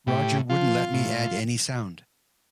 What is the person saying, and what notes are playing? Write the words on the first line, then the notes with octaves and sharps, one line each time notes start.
Roger wouldn't let me add any sound.
A2 G4
F3 F4
A2